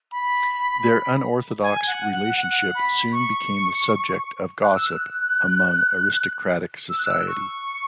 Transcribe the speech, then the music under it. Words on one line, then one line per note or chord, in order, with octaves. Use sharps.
Their unorthodox relationship soon became the subject of gossip among aristocratic society.
B5
G#5
F#5
F#5
F#5
B5
C#6
F#6
E6
F#6
E6
F#6
E6
C#6